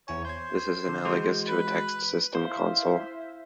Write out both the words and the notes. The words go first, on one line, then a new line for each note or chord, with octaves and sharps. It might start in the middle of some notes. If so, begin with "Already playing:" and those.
This is analogous to a text system console.
E2 E4 C#5 G#5
C5 G6 G#6
D3
E3 G#3 F#4
B4
E4 C5 E5 F5